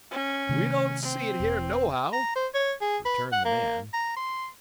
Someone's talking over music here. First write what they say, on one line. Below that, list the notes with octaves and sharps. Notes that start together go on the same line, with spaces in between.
"We don't see it here nohow," returned the man.
C#4
C3 D#3 A3
C4
E1
A#5
C5
C#5
G#4
B4
F#5
A#3
A#5
C6